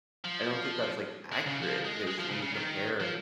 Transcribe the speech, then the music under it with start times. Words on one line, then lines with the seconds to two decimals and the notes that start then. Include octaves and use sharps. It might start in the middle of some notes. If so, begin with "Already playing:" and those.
I don't think that's, like, accurate because when you compare
0.25 F3
1.32 G#3
1.46 C#3
1.62 F3
1.85 G#3
2.07 G#3
2.19 F3
2.31 C#3
2.42 C#3
2.54 D#3
3.00 F3